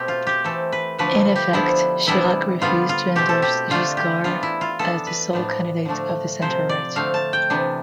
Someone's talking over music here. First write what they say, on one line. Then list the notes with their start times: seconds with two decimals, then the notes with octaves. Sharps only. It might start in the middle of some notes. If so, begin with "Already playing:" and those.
In effect, Chirac refused to endorse Giscard as the sole candidate of the centre-right.
Already playing: B2 A3 C4 G4
0.08 F4
0.27 G4
0.44 E3 A3 C4 A4
0.72 B4
0.98 D3 F3 A3 D4 B4
1.36 G4
1.53 D3 F3 B3 D4 E4
2.06 C3 E3 G3 B3 D4 E4
2.62 D3 G3 B3 F4
2.89 F4
3.16 B2 A3 C4 G4
3.29 A4
3.42 G4
3.70 D3 A3 D4 F4
3.97 G4
4.24 E3 B3 D4 F4
4.43 E4
4.61 F4
4.79 E3 B3 D4 A4
5.07 B4
5.33 A2 F3 B3 D4
5.85 D3 F3 A3 D4
6.42 C3 F3 C4 C5
6.69 D5
6.96 D3 A3 C4 F5
7.14 A5
7.33 G5
7.50 C3 E3 B3 D4